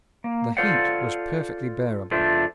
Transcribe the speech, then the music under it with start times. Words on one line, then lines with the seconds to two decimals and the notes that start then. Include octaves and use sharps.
The heat was perfectly bearable.
0.24 A#3
0.57 F4 A4 C5 D5 F5 F#5
2.11 E2 D4 F4 A4 C5 E5